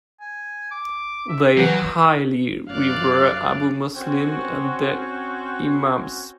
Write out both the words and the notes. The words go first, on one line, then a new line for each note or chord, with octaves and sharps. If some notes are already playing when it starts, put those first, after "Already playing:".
They highly revere Abu Muslim and their imams.
G#5
D6
E5
E3 F#3 G4
F#2 D5 F5 F#6
C4 C#4 F#4